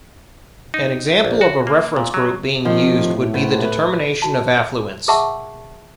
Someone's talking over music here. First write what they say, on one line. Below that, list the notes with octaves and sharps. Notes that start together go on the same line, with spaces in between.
An example of a reference group being used would be the determination of affluence.
D#4
A#1
F#4
A#3
A#2
F#3
C3 D#3 F3
A2
B3 C5
B4
F#4 A5
G#4 A#4 E5 F#5 A5 C#6